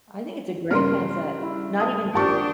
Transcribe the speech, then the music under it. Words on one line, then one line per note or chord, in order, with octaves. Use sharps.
I think it's a great mindset. Not even
G2 C#3 A#4 C6 F6
E4
A5 D#6
G#1 A#2 D4 G4 A5 C#6